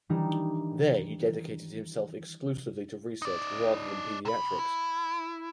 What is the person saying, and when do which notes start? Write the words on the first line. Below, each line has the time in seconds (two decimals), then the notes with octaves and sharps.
There he dedicated himself exclusively to research rather than paediatrics.
0.09 D#3 E3 G3 D4 D#4
3.22 D#4 D5
4.25 C3 B5
4.59 E4